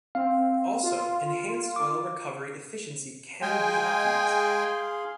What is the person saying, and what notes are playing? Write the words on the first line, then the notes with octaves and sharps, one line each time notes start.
Also enhanced oil recovery efficiency can be optimized.
C4 F5
F4
D6
G#3 G#4 F5 G5 G#5 C6